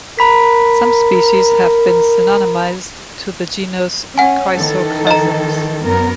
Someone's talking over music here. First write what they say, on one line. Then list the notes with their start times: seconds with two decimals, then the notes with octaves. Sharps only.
Some species have been synonymizedd to the genus "Chrysochlamys".
0.19 A#4 A#5 B5 B6
4.18 C#4 F#5 G#5
4.54 D#3 E3 A4
5.07 D#5 A#5
5.83 F#2 B3 A#4